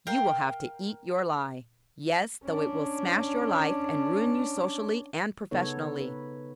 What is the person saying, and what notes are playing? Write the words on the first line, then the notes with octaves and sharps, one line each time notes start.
You will have to eat your lie. Yes--though it will smash your life and ruin you socially and professionally.
A#4 F5 G5
C#4 D4
C#3 B3 D#4 A4 C#5
B4